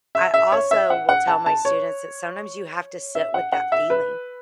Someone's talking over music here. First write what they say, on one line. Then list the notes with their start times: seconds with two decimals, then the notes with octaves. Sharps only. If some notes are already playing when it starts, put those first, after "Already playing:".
I also will tell my students that sometimes you have to sit with that feeling.
0.15 E5
0.34 E5
0.52 C#5
0.71 E5
0.90 F#5
1.09 F#5
1.27 A5
1.46 A5
1.65 C#5
3.15 E5
3.34 F#5
3.52 F#5
3.72 E5
3.90 B4